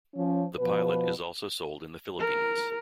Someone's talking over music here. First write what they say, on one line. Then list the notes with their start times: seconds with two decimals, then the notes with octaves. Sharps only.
The Pilot is also sold in the Philippines.
0.15 F3 C#4
0.59 B2 F3 B4
2.20 A#4